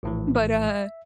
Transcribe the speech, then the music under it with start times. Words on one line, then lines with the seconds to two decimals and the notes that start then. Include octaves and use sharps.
but, uh
0.03 A#1 A2 E3
0.67 E5